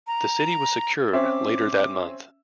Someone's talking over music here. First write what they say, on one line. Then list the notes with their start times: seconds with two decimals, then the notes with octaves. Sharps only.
The city was secured later that month.
0.07 A#5
1.13 C4 C#4 E5 D6